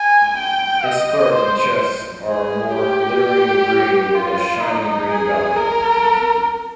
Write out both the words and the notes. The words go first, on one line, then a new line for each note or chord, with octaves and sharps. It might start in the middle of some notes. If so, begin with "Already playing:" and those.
Its throat and chest are a more glittering green with a shining green belly.
Already playing: G#5
G5
D#5
C5
G#4
G4
F4
D#4
G#4
A#4